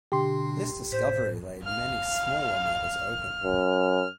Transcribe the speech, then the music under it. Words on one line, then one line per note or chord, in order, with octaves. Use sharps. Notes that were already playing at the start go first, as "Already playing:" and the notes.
This discovery laid many smaller matters open.
B2 D3 D4 G4 C6
A2 C5 B6
F5 F6
F#2